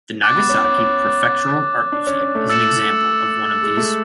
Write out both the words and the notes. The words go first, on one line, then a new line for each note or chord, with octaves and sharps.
The Nagasaki Prefectural Art Museum is an example of one of these.
D6 F#6 A6
B3
C#4
C#4
C#4
D4
C#4
C#4
A3
E6 A6 C#7 E7
G#3
A3